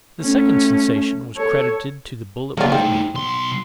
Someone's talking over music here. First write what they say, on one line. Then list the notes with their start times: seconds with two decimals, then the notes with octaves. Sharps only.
The second sensation was credited to the Bullet-Proof Man.
0.22 A3 C#4
1.36 A4 C#5
2.57 C#3 F#3 A#3 F4
2.72 A2 C4 D#4
3.15 B1 C6